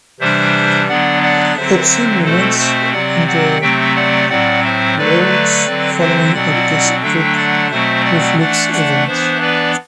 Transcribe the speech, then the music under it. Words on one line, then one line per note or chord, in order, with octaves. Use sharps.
Pepsin remains in the larynx following a gastric reflux event.
C3 E3 G3 D4 C5 E5
D3 F#3 B3 D4 D5 F#5
D5 F#5
D3 F#3 C4 C5 E5
B2 A3 C4 A4 C5
C5 E5
C3 F#3 C4 D5 F#5
D5 F#5
C3 F#3 A3 C4 E5 G5
D5 F#5
A2 F#3 C4 D5 F#5
C5 E5
D3 F#3 A3 B4 D5
D3 F#3 C4
C5 E5
B2 F#3 C4 D5 F#5
D3 F#3 A3 D4 E5 G5
D5 F#5
B2 F#3 A3 C4 C5 E5
D5 F#5
E3 A3 D4 D5 F#5
D5 F#5
E3 B3 D4 C5 E5
B4 D5